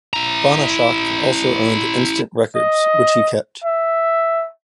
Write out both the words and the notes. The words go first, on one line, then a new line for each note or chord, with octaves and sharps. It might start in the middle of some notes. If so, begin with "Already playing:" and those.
Banashak also owned Instant Records, which he kept.
E4 A#5
D#5
E5